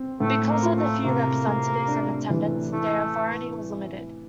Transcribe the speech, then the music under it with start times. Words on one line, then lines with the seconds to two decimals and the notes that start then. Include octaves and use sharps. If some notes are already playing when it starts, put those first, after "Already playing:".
Because of the few representatives in attendance, their authority was limited.
Already playing: C4
0.20 A2 A3
0.49 A#3
0.63 F4
0.76 A3
1.04 C3 A#3
1.47 A3
1.88 D4
2.30 E3
2.72 A3 E4